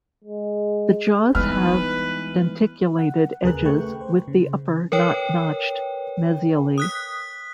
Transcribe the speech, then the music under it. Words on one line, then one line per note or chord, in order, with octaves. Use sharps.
The jaws have denticulated edges with the upper not notched mesially.
G#3
E3 G3 G#3 B3 D#4 B4 F6
F#5
D#2 C#3 G#4 A#4 B4 F#6
A3 B4 G5 C#6
C5
C#3
A#4 B4 C#5 G5
D#6 F#6 B6